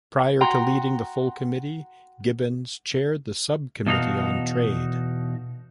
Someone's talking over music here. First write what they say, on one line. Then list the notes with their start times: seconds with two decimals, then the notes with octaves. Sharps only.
Prior to leading the full committee, Gibbons chaired the subcommittee on trade.
0.41 F#4 G5 A#5 C6
3.87 E2 B2 D#4 F#4 F5